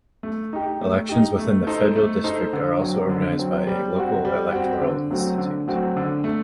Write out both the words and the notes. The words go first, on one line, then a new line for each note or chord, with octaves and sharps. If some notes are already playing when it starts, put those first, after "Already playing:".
Elections within the Federal District are also organized by a local electoral institute.
A3
D#4 G4
A3
D#4 G4
A3
D#4 A4 C5
A3
D#4 A4 C5
D3
F#3 C4
D3
F#3 C4
G3
C4 F#4
G3
C4 F#4
D3
F#3 A3 C4 F#4
D3
F#3 A3 C4 F#4
D3
A3